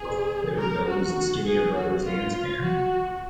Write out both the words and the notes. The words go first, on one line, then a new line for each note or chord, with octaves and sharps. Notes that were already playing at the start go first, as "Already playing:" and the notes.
They were billed as the Skinner Brothers dance band.
Already playing: G#4
A#4
F#4
G#4
F#4
F4
F#4